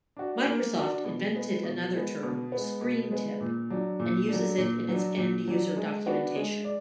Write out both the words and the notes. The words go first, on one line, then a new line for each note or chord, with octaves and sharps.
Microsoft invented another term, "ScreenTip", and uses it in its end-user documentation.
D4 F#4
A#3
D4 F#4
B2
G#3 B3
B2
G#3 B3
B2
G#3 B3
B2
G#3 B3
A#2
F#3 D4
A#2
F#3 D4
A#2
F#3 D4
A#2
F#3 D4
G#3
B3 D4 F#4 D5
G#3
D5